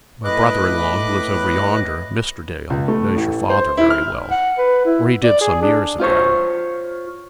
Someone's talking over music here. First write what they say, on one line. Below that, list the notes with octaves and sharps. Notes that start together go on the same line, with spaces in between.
My brother-in-law who lives over yonder, Mr. Dale, knows your father very well,--or he did some years ago.
A2 B4 D#5 D6 F#6
C#2
A3
A1
C5
E4
F6
F#5
B4
E4
D5
G#4
D4
F4 C5 C#5